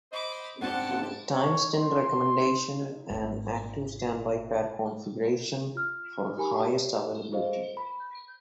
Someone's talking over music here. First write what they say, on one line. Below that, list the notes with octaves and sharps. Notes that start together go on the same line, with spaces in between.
TimesTen recommends an active-standby pair configuration for highest availability.
C5 D#5 B5 D6
G#2 C4 D4 G4 F#5 A5
C#5
C6
G#1 D4
F4 F6
D#4 G4 A#4 G#5 B5
G4 C#5 D5 E5
F4 G#4 C5 D#5 F5
B5